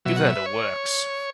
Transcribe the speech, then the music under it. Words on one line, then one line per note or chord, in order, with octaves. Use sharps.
Give her the works.
B2 F#3 E5
F#5
E5
B4
C#5